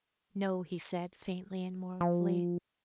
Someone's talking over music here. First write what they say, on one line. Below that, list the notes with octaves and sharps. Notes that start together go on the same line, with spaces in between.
"No," he said, faintly and mournfully.
F3